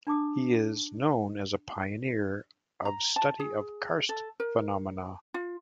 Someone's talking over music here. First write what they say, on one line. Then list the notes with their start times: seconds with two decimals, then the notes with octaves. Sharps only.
He is known as a pioneer of study of karst phenomena.
0.07 D4 A5 D6 D#6
2.85 A#5
3.16 A5
3.39 G#4
4.09 A4
4.40 A#4
5.34 F4